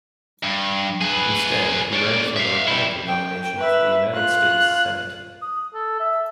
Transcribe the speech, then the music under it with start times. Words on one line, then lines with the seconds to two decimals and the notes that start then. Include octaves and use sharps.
Instead, he ran for the Republican nomination for the United States Senate.
0.43 G2
1.01 G#4 B4
1.93 C#4 D5
2.36 E5 F5
2.68 G3 E4
3.07 G5
3.58 B4 E5
4.13 F4 F#6
5.42 D#6
5.74 A4
6.00 E5